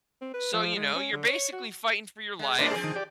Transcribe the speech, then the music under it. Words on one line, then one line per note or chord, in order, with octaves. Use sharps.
so, you know, you're basically fighting for your life.
C4
B4
F3
G#3
C#4
D3
C#5
F#4
G#3
A2 D4 A#4 C5 D5
F3 C4 G#4
D#3
G4 D5